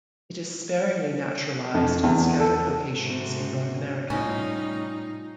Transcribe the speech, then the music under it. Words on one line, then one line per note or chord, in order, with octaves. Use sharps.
It is sparingly naturalised in scattered locations in North America.
F2
E2
A4
G#2 C3 F#4
A2 G3 C#4 D#4 F4